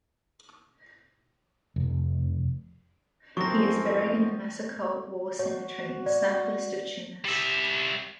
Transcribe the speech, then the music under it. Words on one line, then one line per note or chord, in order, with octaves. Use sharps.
He is buried in the Massicault War Cemetery, southwest of Tunis.
F1
F#2 A2 F3 F#3 C4 C#6 A#6
F#4 C#5
D5
G3 E5